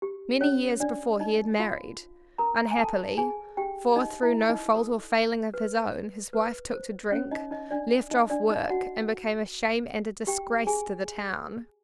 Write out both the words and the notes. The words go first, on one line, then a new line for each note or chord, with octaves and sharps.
Many years before he had married; unhappily, for through no fault or failing of his own, his wife took to drink, left off work, and became a shame and a disgrace to the town.
G4
C#4 C#5
D4 D5
D#4 D#5
F4 F5
A#4 A#5
G#5
A4 A5
G#4 G#5
G4 G5
D#4 D#5
E4 E5
D#4 D#5
A4
B4
B4
C5
C#4 C#5
D#4 D#5
D#4 D#5
D4 D5
D#4 D#5
D4 D5
D#4 D#5
F#4 F#5
G4 G5
G#4 G#5